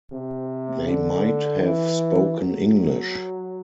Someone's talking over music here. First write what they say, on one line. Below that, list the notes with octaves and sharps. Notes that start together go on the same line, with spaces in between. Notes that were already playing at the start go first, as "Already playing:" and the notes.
They might have spoken English.
C3
D3
E3
F#3